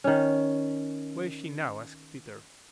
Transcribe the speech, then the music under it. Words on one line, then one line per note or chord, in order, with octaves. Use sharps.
"Where is she now?" asked Peter.
D#3 C#4